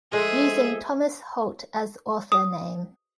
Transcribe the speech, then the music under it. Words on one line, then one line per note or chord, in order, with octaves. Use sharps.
Using Thomas Holt as author name.
F3 G#3 G#4 A4 E5
D#6